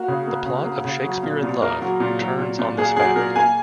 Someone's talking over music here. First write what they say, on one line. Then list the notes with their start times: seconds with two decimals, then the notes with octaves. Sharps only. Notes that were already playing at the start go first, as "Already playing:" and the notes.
The plot of "Shakespeare in Love" turns on this fact.
Already playing: A#3 F#4
0.08 C#3
0.27 A#3
0.46 C#3
0.65 A#3
0.85 C#3
1.04 F#3
1.23 A#2
1.43 A#2
1.62 A#3 A#4
1.81 F#3
2.00 A#2
2.20 F#3
2.39 A#2
2.59 A#2
2.78 A#3 G#4
2.97 F#3 G#4
3.16 A#2 A#4
3.36 A#3 G#5